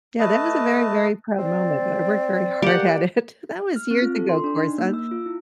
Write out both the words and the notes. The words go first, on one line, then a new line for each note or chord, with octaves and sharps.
Yeah, that was a very, very proud moment, I worked very hard at it. That was years ago, ‘course, uh,
A3 B4 D#5 A5
C4 D5
A#3 G4 F#5
F6
C4
F4
A4
C6
D4
D#4
A#3
E6
F4
E4